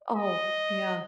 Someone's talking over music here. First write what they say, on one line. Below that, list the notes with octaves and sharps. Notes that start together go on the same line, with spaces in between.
Oh, yeah.
D#5